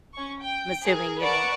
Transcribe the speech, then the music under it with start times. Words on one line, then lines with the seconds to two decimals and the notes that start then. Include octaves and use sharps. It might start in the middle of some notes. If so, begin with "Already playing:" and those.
I'm assuming you don't
0.13 C#4 C#6
0.42 G5
0.83 G#4 A#4
1.20 A#4 B4 D5 F#5 A5 C#6